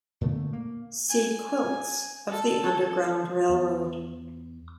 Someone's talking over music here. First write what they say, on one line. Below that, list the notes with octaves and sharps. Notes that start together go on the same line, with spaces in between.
See Quilts of the Underground Railroad.
A#2 D3 A3 B3
A#3
G#5
A4
E2